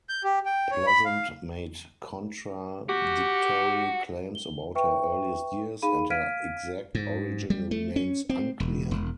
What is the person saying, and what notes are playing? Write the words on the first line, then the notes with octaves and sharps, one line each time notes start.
Pleasant made contradictory claims about her earliest years, and her exact origin remains unclear.
G6
G4
G5
C#5
B5
F5
F#4 G4
G7
B4 E5 G5 C#6
D#4 G#4 F5 B5 D#7
F5 F6 G#6 B6 D7 D#7
G#2
G3
A3
C#4
C4
E1
E1